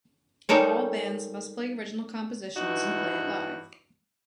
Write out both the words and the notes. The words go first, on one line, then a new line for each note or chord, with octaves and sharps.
All bands must play original compositions and play it live.
G3 G#3 D#4 A4 A#4 C#5
G2 E3 D#4 E4 F#4